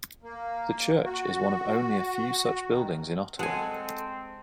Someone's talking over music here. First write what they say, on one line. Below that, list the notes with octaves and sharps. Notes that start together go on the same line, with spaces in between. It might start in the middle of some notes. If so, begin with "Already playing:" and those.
The church is one of only a few such buildings in Ottawa.
A#3
F#4
D#3
G#3 C4 A4 F#5 G#5